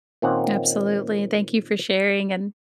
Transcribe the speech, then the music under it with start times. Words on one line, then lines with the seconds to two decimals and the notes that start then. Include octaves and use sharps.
Absolutely, thank you for sharing, and
0.22 A#2 D#3 C4 C#4 F5 F#5